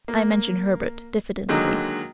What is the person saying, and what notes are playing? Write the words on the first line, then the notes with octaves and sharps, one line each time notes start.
I mentioned Herbert diffidently.
A#3
D3 D#3 F#3 G#3 A#3